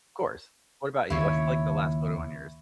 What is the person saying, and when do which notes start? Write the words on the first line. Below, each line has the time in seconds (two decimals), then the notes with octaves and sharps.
Of course, what about you, what's, like, the last photo on yours?
1.10 D#2 C#3 E4 C#5